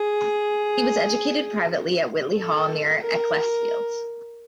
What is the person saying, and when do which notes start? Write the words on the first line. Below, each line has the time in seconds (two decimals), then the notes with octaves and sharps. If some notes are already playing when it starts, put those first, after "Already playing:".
He was educated privately at Whitley Hall near Ecclesfield.
Already playing: G#4
2.36 A4
3.02 A#4